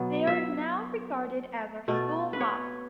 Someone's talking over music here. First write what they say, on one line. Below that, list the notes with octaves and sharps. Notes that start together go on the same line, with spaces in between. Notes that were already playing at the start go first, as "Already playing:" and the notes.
They are now regarded as our school motto.
Already playing: B2 F#3 B3
E5
B2 A3
B4
C#5